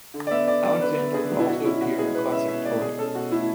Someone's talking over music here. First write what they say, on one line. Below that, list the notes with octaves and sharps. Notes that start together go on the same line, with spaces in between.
Alexander could also appear a classic Tory.
D3
D5
B3 E5
D3 D5
F#3 D5
D3 B4
B3
D3 G#4
F#3
E4
B2 F#4
C#4 E4
B2 F#4
G#3 G#4
B2 B4
C#4 E5
B2 E5
G#3 D5
B2 G#4
C#4 A4
B2 F#4
A3 E4